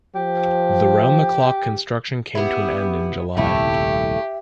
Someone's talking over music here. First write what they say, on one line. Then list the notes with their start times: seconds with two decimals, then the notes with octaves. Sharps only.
The round-the-clock construction came to an end in July.
0.15 F3 G4
2.35 B3 E4 G4
3.37 D#1 C2 A3 E4 G4 E5